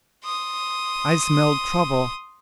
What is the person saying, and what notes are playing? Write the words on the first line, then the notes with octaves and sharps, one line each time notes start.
I smell trouble.
C6 D#6